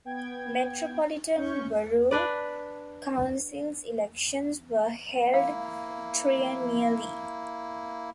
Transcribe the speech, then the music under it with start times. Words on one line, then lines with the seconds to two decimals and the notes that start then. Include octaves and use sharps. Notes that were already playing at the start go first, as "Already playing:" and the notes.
Metropolitan borough councils elections were held triennially.
0.05 B3 G5 G#6
1.37 C#4 C#6 G6
2.11 D4 B4 D5
5.34 A#3 E4 F5